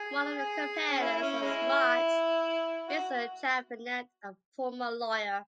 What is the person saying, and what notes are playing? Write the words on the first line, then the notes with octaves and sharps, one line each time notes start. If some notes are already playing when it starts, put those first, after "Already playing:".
One of the competitors is smart, Mr Chatfinet, a former lawyer...
Already playing: G#4
G#4
C#4
E4
E4
C#4
G#3 C#4 E4
F#4